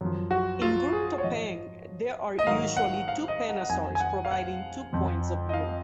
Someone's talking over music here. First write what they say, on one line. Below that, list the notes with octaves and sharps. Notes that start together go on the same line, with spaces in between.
In group topeng, there are usually two penasars providing two points of view.
F#2 F3
F#4
F4
G#4
C#5
G#2 F3 D#5
D#5
G#2 D#3 F#3 F5
F#5
F5
D#5
F#5
F#5
F2 D#3 F#3 G#5
G#5
F#5
F5
F#5
F2 F3
D#5
F5